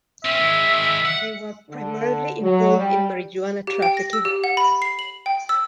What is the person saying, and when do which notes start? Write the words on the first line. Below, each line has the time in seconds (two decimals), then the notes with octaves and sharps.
They were primarily involved in marijuana trafficking.
0.25 C4 C#4 E5
0.40 D#3 G#3
1.05 F#5
1.70 D3
2.42 F#3
2.76 G3
3.67 G4
3.82 G5
3.97 A#6
4.13 E6
4.25 G4
4.44 F#5
4.57 B5
4.82 C7
4.99 F#7
5.26 G5
5.49 E6